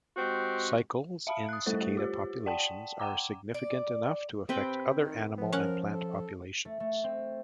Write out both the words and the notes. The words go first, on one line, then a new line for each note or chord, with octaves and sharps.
Cycles in cicada populations are significant enough to affect other animal and plant populations.
G#3 C4 F#4 G4
E5 F5 A5 B5
D#6 F#6
G3 A3 E4 A4 C5
F4 G4 C5
D5 F#5 G5 A5
F#5 G5 A#5 D6
D5
C3 C4 B4 G5
D#3
F3 B3
C#4 A#4 F#5
A4
A3
A3
C4